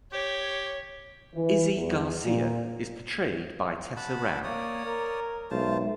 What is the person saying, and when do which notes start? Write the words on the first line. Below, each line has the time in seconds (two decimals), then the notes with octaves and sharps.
Izzy Garcia is portrayed by Tessa Rao.
0.13 G4 C#5
1.35 E3
1.75 E2
2.22 A#2
3.96 F#5 A5 B5
4.44 A#3 C#5 D5 D#6
4.85 A#4 A#5
5.51 B1 G#3 F4 C5 E5 A5